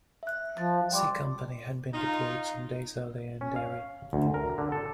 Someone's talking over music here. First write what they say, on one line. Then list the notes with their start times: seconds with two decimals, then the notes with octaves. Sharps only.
C company had been deployed some days earlier in Derry.
0.23 E5 F#6
0.58 F3 A6
0.92 G3 G5 C6 D6
1.94 D#4 F4
3.41 C#4
3.56 F5
4.13 D2
4.34 A#4
4.58 D3
4.72 A4